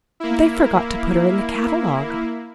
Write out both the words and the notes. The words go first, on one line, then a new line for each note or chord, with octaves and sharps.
"They forgot to put her in the catalogue."
A#3 E4